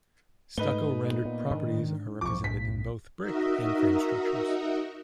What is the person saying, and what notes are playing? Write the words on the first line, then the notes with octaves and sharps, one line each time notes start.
Stucco rendered properties are represented in both brick and frame structures.
G#2 A3 D#4 B4 G7
A#2 B3
G#2 D#3 D4
B1 F2 G#2 F3 C#6 D6
B1 A2 B6
D#4 F#4 A#4 D#5 E5